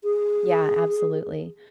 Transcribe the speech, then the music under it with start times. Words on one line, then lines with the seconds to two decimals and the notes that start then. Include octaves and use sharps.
Yeah, absolutely.
0.04 G#4